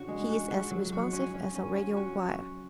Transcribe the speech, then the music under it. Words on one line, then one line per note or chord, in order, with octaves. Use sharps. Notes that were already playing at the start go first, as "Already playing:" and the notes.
He is as responsive as a radio wire.
Already playing: C#3 D4 F#4
G#3
F#4
F#4
F#3
F#4
C#4
C#4
C#4
C#4
F#4